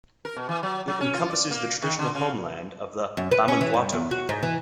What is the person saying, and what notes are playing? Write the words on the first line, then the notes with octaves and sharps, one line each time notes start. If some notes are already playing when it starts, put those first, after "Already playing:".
It encompasses the traditional homeland of the Bamangwato people.
A#4
B2
E3
F#3
F#3
C#4
F4
D5
A#3
D#3
D3
C#3
F#2
B4
C#4
E3
G2
E2
F#4
G#2
E3